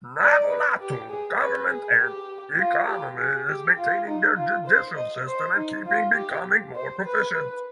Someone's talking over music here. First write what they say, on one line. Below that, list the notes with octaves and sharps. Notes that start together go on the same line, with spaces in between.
Navolato government and economy is maintaining their judicial system and keeping becoming more proficient.
D5
B4
G4
G#4
B4
G#4
G4
F4
G4
G#4
G4
F4
D#4
F4
C5
D#5
C5
D#4
F4
G4
C5
B4
B4